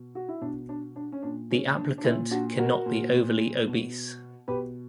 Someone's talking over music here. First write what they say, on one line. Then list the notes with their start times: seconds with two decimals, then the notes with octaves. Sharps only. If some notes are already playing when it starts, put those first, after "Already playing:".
The applicant can not be overly obese.
Already playing: B2
0.15 F#4
0.28 E4
0.41 B2 D4
0.69 D4
0.96 D4
1.12 C#4
1.22 A#2 D4
1.51 C#4
1.77 D4
1.98 D4
2.04 A#2 C#4 E4
2.31 D4 F#4
2.59 F#4 A#4
2.86 A#2
3.67 B2
4.48 B2 G4 B4